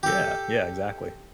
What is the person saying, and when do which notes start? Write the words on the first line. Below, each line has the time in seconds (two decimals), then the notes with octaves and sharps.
Yeah, yeah, exactly.
0.03 G4 A4